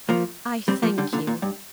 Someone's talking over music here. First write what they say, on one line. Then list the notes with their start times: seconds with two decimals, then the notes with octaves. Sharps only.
I thank you.
0.09 F3 A#3
0.68 G3 C4
0.83 F3 A#3
0.98 D3 G3
1.13 A#2 D3
1.27 A#2
1.42 G2